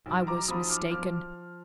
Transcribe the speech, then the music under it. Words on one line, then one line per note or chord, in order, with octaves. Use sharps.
I was mistaken.
B1
A#5 D6
F3 B5 D#6
D6 F6
F3 D6 F6